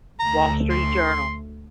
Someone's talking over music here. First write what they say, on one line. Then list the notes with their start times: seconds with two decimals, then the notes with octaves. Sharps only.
Wall Street Journal.
0.20 D2 A3 A#5
0.70 C6